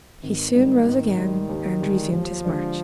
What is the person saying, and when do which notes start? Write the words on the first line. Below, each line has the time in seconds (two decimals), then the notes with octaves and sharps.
He soon rose again and resumed his march.
0.23 G#1 D#3
0.54 G#2 D#3 G3
0.86 G#1
1.17 G#2 G3
1.49 D#2
1.80 D3 G#3 D4 G4
2.12 D#2 F3
2.43 D3 G#3 D4 G4